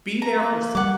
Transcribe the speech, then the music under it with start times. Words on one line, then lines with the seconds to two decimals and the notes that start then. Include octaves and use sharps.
Be there for so
0.22 A#5
0.37 A#3
0.75 G3 F#5 D6